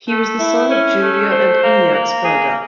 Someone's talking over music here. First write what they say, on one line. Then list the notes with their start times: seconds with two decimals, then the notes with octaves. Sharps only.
He was the son of Julia and Ignatz Berger.
0.09 A3
0.40 E4
0.71 C#4
1.02 A3
1.32 C5
1.63 A#3
1.94 A#3
2.24 G#4